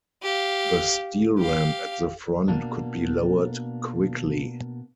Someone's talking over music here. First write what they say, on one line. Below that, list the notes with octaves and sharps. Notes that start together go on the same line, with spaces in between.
The steel ramp at the front could be lowered quickly.
G4 F5
G4 F5
B2 A#3 D4